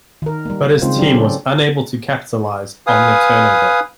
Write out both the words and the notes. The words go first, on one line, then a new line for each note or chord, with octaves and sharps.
But his team was unable to capitalize on the turnover.
D#3 A#4
G3 A#3
C#3 G#3 C4 D#4 F4 C5
F#3 D4 G4
C#4 D4 A4
B4 F5 G#5 D#6